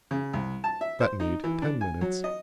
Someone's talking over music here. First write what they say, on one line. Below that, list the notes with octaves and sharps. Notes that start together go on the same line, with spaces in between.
That made ten minutes.
C#3
C2
A5
E5
C5
D#4
E3
D4
G#5
F#3
D#5